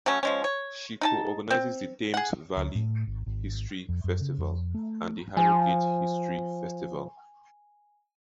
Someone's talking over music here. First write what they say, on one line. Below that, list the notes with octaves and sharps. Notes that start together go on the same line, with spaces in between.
She co-organises the Thames Valley History Festival and the Harrogate History Festival.
F#3 A3 C#4
F3 G#3 C#4
C#5
D#4 A4 A5
C4
G#4 F#5
D2
A2
G#1
G#1
F2
F#2
C#3
F2
A3
F3 G#5